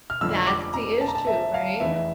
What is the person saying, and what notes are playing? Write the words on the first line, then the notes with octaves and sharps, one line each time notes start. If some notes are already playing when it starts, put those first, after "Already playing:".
That's the issue, right?
F6
F1 F2 D3 F3 E6
D6
A#5
A5
A#5
A5
E5
F5
F1 E2 E3 E5